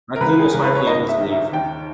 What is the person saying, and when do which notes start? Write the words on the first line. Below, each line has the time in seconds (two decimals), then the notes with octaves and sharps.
Maclean was finally able to leave.
0.16 A#4
0.21 C#2 B4
0.39 G#4
0.52 C#2 A#4
0.64 B4
0.75 C#5
0.86 G#2 D#5
1.09 E5
1.20 D#3
1.31 E5
1.53 D#2 G5